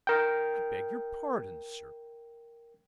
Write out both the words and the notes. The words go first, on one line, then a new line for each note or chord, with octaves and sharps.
I beg your pardon, Sir.
A#4 G5